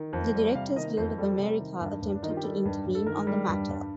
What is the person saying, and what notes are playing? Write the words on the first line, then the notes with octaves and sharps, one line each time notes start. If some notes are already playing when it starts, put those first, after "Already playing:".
The Director's Guild of America attempted to intervene on the matter.
Already playing: D#3
F2
G3
C3 F5
D#3 D#5
F2 C5
G3 A4
C3
D#3
G2
G2
D4
D#3 D#4
F4
G4
G3 A4
G2
G2
A4
D#3 A#4
G3
G2
G2